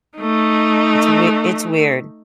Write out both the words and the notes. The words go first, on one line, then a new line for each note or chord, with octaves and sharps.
It's wei it's weird.
A3 D#4